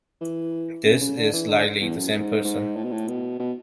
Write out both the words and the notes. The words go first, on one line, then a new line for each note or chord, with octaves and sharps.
This is likely the same person.
E3
C#3
C#3
D3
E3
D3
E2
F#2
G#2
G#2
A2
B2
A2
B2
B2